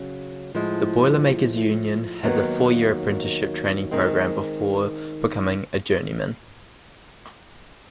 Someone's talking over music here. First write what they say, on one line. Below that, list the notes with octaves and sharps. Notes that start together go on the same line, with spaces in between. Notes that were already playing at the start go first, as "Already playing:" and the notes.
The Boilermakers union has a four-year apprenticeship training program before becoming a Journeyman.
Already playing: C#3 F#3
A2 F3 G#3
D#2 D#3 F#3 B3
D#3 G#3 C4